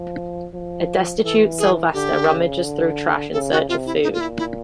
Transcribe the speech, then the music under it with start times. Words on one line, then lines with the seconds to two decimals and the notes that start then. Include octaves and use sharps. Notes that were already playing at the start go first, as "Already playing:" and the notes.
A destitute Sylvester rummages through trash in search of food.
Already playing: F3
0.54 F3
1.24 E3 A4
1.59 G#4
1.93 D3 G4
2.29 C#3
2.64 D3
3.33 C#3 A4
3.51 F#4
3.69 C3 F4
3.86 E4
4.03 A#2 D#4
4.14 F4
4.21 E4
4.38 E4